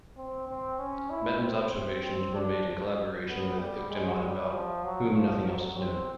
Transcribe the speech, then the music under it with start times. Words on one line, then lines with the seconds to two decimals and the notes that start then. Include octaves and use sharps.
Meton's observations were made in collaboration with Euctemon about whom nothing else is known.
0.17 C4
0.48 C4
0.78 C#4
1.10 E4
1.41 C4
2.03 C4
2.34 D4
3.29 B3
3.59 G3
3.90 G#3
4.22 G3
4.53 F3
4.84 F#3
5.15 F3
5.46 F#3
5.77 C4